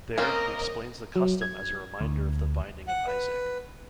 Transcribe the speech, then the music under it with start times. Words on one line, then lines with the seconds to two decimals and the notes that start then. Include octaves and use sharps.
There, he explains the custom as a reminder of the binding of Isaac.
0.18 A#3 C4 C#4 A#4 D#5
1.16 F#3
1.41 G#6
2.00 D2
2.88 F#5
3.07 B4